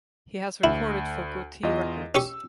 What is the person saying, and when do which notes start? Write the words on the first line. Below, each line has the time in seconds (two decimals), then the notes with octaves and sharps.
He has recorded for Gotee Records.
0.64 D2 E4
1.63 E2 F4 D#5
2.15 C#4 G4 C#6 E6